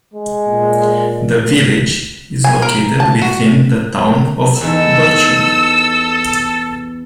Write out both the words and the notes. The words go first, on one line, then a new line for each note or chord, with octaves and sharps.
The village is located within the Town of Birchwood.
G#3
A#2
G#5
A#4
A5
F#4
E2 D#4 A4 E6